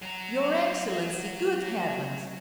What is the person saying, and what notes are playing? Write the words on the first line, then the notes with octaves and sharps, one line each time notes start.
"Your Excellency, good heavens!"
F#3 A#5